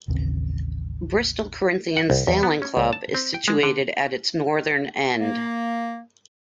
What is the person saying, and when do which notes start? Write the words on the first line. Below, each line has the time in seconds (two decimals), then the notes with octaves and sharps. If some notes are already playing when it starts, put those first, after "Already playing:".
Bristol Corinthians sailing club is situated at its northern end.
0.08 A1 D#2 C#3 C4
1.97 F#5
2.10 C2
2.27 E2
2.43 B3
2.62 C#4
2.77 C#2
2.93 A5
3.14 C4
3.34 G5
3.48 G#3
3.63 D3
5.21 A#3